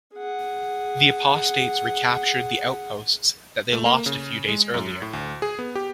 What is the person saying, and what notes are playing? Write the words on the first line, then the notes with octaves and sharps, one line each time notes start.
The apostates recaptured the outposts that they lost a few days earlier.
G#4 F#5
A3
A#3
C#3
G#3
F#2
A2
D2
G#4
B3
G4